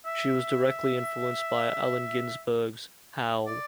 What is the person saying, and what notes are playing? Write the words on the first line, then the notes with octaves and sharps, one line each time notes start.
She was directly influenced by Allen Ginsberg's "Howl".
E5
D5